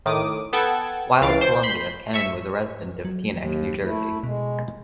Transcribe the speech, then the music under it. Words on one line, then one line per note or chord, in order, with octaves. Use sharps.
While at Columbia, Kenen was a resident of Teaneck, New Jersey.
A2 D#3 D6 D#6 D7
B3 A4 F#5 G5 A5 G#6
C#2 E3 F5 A6 C7 D7
C5 C6
B5 C6 G6
E5 C#6
F#3
D#2
A3 E4
B2 G#3